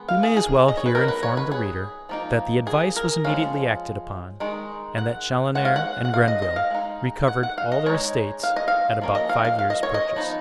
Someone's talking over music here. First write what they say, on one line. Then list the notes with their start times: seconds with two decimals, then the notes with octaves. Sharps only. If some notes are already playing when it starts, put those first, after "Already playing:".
We may as well here inform the reader that the advice was immediately acted upon, and that Chaloner and Grenville recovered all their estates at about five years' purchase.
Already playing: D#3 G#3 B3
0.09 F5
0.23 G#4
0.37 G#4
0.68 D#5
0.77 C#5
0.86 B4
0.95 F#3 B3 D#4 A#4
1.08 B4
1.23 C#5
1.37 B4
1.52 G#4
2.09 F3 A#3 D#4
2.67 G#4
2.96 A#4
3.24 F3 G#3 C#4 F5
4.40 D#3 G#3 D#4
4.98 F#5
5.55 G#3 C#4 F#5
5.65 F5
5.76 F#5
6.05 F#5
6.14 F5
6.28 D#5
6.42 D#5
6.56 F5
6.70 G#3 D#4
7.28 F#5
7.43 F#5
7.58 F5
7.72 D#5
7.86 G#3 D#4 C#5
8.43 F5
8.56 D#5
8.68 F5
9.01 F3 A#3 C#4
9.15 D#5
9.29 F5
9.45 F5
9.59 F5
9.70 D#5
9.83 C#5
9.94 D#5
10.16 F3 B3 D#4